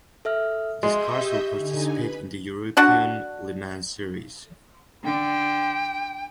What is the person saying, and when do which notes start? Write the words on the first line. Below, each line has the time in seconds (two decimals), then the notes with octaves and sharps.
These cars will participate in the European Le Mans Series.
0.25 A4 E5 F6
0.83 G#3 D#5 E5 C6 G6
1.21 G4
1.55 D3 D#4 G#5
1.90 B4 B5
2.77 D4 F#4 F#5
5.04 D3 G5